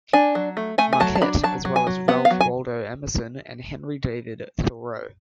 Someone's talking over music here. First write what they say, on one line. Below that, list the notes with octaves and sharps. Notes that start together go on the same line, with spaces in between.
Marquette, as well as Ralph Waldo Emerson and Henry David Thoreau.
D4 G#5
F#3
A3
A3 G#5
G#5
F#3 A5
A5
D4 B5
F#3 A5
F#3
G#5
F#3
B3 F#5
F5
F#3
G#5